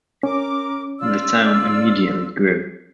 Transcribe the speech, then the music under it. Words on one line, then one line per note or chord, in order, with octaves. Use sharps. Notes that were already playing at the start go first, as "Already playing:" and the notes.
The town immediately grew.
C#4 A#4 D6
F4 D5 E6